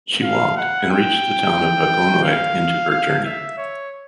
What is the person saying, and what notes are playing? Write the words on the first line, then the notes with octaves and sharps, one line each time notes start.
She walked and reached the town of Hagonoy into her journey.
F5
F#5
G5
F5
F5
E5
C#5